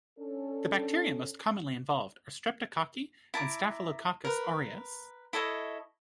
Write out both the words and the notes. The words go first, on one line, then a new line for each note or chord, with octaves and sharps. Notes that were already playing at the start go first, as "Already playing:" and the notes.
The bacteria most commonly involved are streptococci and "Staphylococcus aureus".
C#4 D4 A4
E4 A5 A#5 D6
A#4 B4
E4 A4 C#5 D#5